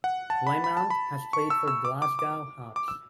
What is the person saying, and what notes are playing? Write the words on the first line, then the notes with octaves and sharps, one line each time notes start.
Lamont has played for Glasgow Hawks.
F#5
A5
B5
B5
A5
B5
C#6
E6
E6
D6
D6
D6
D6
E6